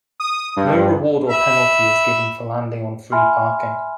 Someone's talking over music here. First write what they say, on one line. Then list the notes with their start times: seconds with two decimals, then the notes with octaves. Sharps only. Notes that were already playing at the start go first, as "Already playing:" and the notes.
No reward or penalty is given for landing on Free Parking.
0.20 D#6
0.56 G2
1.29 E5 B5
3.12 E5 G#5 B5 C6 F6